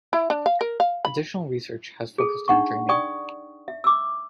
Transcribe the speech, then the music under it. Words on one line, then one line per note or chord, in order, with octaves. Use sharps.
Additional research has focused on dreaming.
E4
D4
F5
A#4
F5
B5
G#4 A4
D4 D#4 F#5 C#6
D5 G5 C#6 D#6
E5
D6 E6